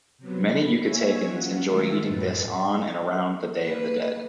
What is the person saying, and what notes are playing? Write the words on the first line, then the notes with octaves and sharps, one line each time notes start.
Many Yucatecans enjoy eating this on and around the Day of the Dead.
C3 F#3 B3
B5
A#3 C#5 E5 G#5 G#6 B6
F#3 C#4 F4 F#5
D#3 G#3 A3 F4 E5 E6
F#2 A2 B4 A6
A#3 B4